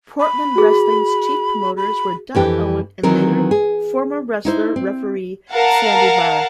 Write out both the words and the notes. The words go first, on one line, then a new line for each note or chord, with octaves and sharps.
"Portland Wrestling"s chief promoters were Don Owen, and later, former wrestler-referee Sandy Barr.
B5
F#4 G#4
B5
F2 E3 G4
D#3 E3 F#3 C4 A#4
G#4
D#4 E4 C5
C4
A#4 F5 F#5 A5